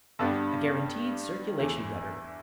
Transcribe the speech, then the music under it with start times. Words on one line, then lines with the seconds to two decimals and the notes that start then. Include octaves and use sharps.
A guaranteed circulation-getter.
0.19 G2 D3 B3 D4 G4
1.60 E2 E3 A3 E4